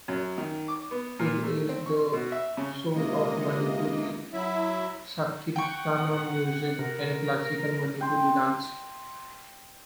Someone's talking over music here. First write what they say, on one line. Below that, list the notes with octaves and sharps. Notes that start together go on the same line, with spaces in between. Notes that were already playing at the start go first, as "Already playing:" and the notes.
It is the soul of Manipuri Sankirtana music and Classical Manipuri dance.
F#2
D#3
D6
B3
A#2
A3
C4
C#6
B2
E5
C#3
C#2 C3 A#3 D#5
F#3 E4 E5
F#5 G5 C#6
C3 A#4
G5 C6